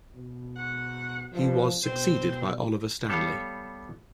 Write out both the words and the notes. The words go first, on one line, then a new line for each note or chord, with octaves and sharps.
He was succeeded by Oliver Stanley.
B2
G#2 F#4 F#5
G2 F3
B2 C4 C5
G3 B3 A4 C#5 F5